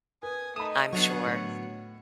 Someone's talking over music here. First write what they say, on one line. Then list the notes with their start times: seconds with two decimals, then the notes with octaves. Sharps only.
I'm sure.
0.23 B4 G#5 D#6
0.56 A3 D#4 B5 D#6 E7
0.93 B2 D3 F#3 C#5 F#5 C#6 C#7
1.26 A2